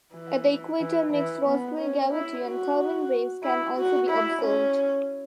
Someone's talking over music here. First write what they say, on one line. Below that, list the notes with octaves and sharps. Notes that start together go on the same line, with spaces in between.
At the equator, mixed Rossby-gravity and Kelvin waves can also be observed.
E3
E3
E3
B3
C#4
E4
F#4
E4
F#4
E4
C#4